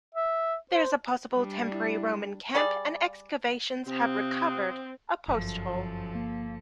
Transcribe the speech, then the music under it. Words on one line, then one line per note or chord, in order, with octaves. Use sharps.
There is a possible temporary Roman camp and excavations have recovered a posthole.
E5
C5
G3 D4
E4
G3 G#4 D5
C3 C4 F4 F#5 D#6
G1 F#2 F3 A4
A#3